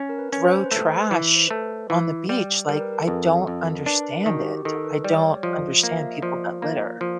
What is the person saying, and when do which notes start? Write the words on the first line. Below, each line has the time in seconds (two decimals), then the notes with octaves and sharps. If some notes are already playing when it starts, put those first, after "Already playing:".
throw trash on the beach, like, I don't understand it, I don't understand people that litter.
Already playing: C#4
0.09 A#4
0.19 B4
0.33 C#4
0.45 C5
0.66 B4
0.71 A3 C5
0.97 B4
1.11 E3
1.24 B4
1.35 C5
1.49 A3 B4
1.61 C5
1.72 B4
1.90 E3
2.29 G3
2.68 G3 A#4
2.80 B4
2.93 A#4
3.00 A4
3.07 F2 G#4
3.34 A4
3.47 F2
3.60 A#4
3.78 A#4
3.86 D4 B4
4.13 A#4
4.26 D#3
4.33 F#4
4.39 G4
4.65 D#3 A4
4.84 B4
5.04 G3 D5
5.18 C#5
5.24 D5
5.43 F3 D#5
5.83 A#3
5.91 F5
6.01 E5
6.12 D#5
6.22 F3 D5
6.62 A#3
7.01 F3